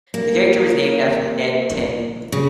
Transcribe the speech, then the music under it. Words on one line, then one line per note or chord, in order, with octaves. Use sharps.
The character was named after Ned Tanen.
A#3
C#3